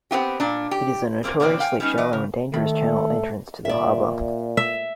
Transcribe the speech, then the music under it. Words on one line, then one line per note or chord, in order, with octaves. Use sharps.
It is a notoriously shallow and dangerous channel entrance to the harbour.
B3 C4 F4 G4
A#2 D4
G4
A#2 E3 A#3 C4 G#4
B2 D3 A#3 C4 D5
F5 G5 G#5
G3 B3 C#4 D#4
E3 B4 D#5
C#3
D#3 A3 B5
A#2 D5 E5
E5